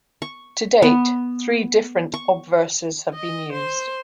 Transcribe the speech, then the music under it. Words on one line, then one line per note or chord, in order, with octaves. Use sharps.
To date, three different obverses have been used.
C#6
B3
C#6
D#5
C5